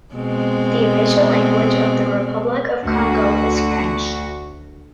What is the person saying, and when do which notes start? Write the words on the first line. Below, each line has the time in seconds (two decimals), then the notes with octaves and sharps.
The official language of the Republic of Congo is French.
0.14 B2 G#3 C4
2.86 D2 F#4